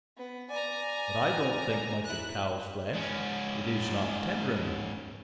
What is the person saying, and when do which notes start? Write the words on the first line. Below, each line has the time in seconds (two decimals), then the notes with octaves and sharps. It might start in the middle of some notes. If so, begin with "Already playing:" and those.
But I don't think much of cow's flesh; it is not tender enough.
0.17 B3
0.50 D5 G#5 A#5
2.04 E4 F#6
2.93 G#2 C#4